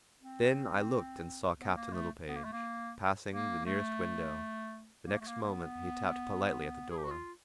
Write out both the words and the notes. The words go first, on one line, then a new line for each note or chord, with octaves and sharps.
Then I looked, and saw Captain Littlepage passing the nearest window; the next moment he tapped politely at the door.
C4
B3
A#3
A3
B3
A#3
A3
A#3
A#3
A3
A#3
A3
A#3
A#3
B3
G#4
G4
F#4
F4